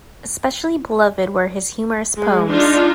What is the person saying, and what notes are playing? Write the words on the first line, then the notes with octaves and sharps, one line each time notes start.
Especially beloved were his humorous poems.
G#3
D4 D#4 F4